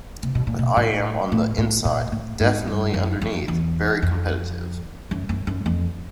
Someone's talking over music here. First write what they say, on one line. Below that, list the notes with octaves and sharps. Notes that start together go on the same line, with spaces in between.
But I am on the inside, definitely - underneath, very competitive.
C3
B2
A#2
B2
A2
A2
A2
A#2
A2
G#2
G2
F#2
F2
E2
F2
F#2
F#2
F#2
F2